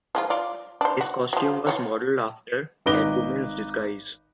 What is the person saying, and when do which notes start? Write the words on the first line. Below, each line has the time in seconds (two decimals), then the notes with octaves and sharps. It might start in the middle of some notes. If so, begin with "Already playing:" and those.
His costume was modeled after Catwoman's disguise.
0.15 F3 G#3 F4
0.30 F4 D5
0.81 D4 C5
1.01 F#4
1.33 F3 F#3
1.67 F4 F#4 C#5
2.86 G#1 D#4 B4 D6 A#6 G7